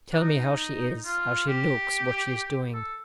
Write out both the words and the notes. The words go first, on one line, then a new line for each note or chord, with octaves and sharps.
Tell me how she is, how she looks, what she is doing.
D4
D#4
F4
G4
A4